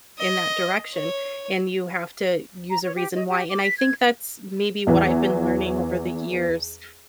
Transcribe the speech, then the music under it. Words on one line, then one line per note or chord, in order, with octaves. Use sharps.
in that direction, and you have to use a reason why, and I think that's maybe what I've been learning over the years,
D#5
C#5
A#5
C#5
G4
D#5
G4
D6
B6
G#6
E2 E3